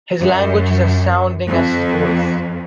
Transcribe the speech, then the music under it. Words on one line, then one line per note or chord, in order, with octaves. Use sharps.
His language is as sounding as his voice.
F#2
F2